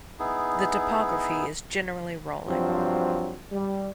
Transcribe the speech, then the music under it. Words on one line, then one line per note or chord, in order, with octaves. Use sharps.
The topography is generally rolling.
B3 D#4 E4 G#4
G2 F3 F#3 C4
G3